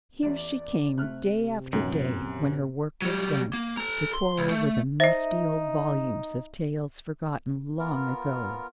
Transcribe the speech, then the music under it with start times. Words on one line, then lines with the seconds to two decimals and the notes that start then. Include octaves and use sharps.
Here she came day after day, when her work was done, to pore over the musty old volumes of tales forgotten long ago.
0.23 A1 E2 D5
0.98 C3 A3 F6 F#6
1.73 F#2 A#2 D#3 B3 C#4
3.02 F#3 G3
3.54 A#3
3.77 A4 A#5
4.13 C6
4.37 C#2
4.50 A3
5.00 D#4 C5 D#5 E5
7.79 B3 F4 A#4